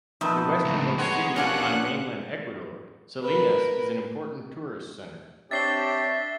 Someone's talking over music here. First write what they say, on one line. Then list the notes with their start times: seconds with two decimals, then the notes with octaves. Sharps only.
The westernmost city on mainland Ecuador, Salinas is an important tourist center.
0.21 F2 B2 D#4 B4 E5 A5
0.65 C#2 A2
0.98 G#4 C#5 F#5 C6
1.36 C#4 D4 F4 G4 A#4 C#5 F#5
3.23 A#4 B4
5.51 C4 D4 G4 C#5 E5 A6 C7 G7